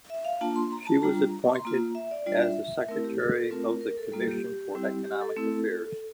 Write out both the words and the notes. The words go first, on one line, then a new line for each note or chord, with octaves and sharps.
She was appointed as the secretary of the Commission for Economic Affairs.
E5
F5
A#3 D4 F4 A5
C6
A#5
A5
G3 D4 F4 A#5
C6
A#3 F4 A#5
E5
D5
G3 D4 F4 D5
E5
A3 C4 E4 A#4
G4
A4
A3 C4 F4 A#4
A#4
A4
G3 A#3 F4 A4
G4
G3 C4 E4
G4
A4
A3 C4 E4